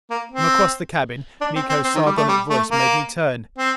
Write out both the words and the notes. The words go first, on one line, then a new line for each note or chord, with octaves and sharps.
From across the cabin, Miko's sardonic voice made me turn.
A#3
C4
D4
C4
C4
C4
D#3
G3
A3
G3
A3
A#3
C4